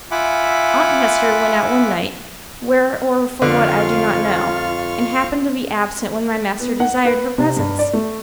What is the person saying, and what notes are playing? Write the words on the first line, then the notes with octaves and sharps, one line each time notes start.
Aunt Hester went out one night,--where or for what I do not know,--and happened to be absent when my master desired her presence.
F4 E5 F#5 G#5 B5 D6
F2 D3 F4 F5 C#6 F6
B3
F#5
B4
C3
G2
D5
A3